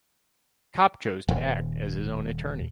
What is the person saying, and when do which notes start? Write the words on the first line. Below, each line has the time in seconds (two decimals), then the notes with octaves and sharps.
Kopp chose to act as his own attorney.
1.29 D#1